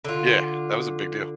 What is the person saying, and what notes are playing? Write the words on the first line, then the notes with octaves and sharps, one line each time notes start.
Yeah, that was a big deal.
D3 F4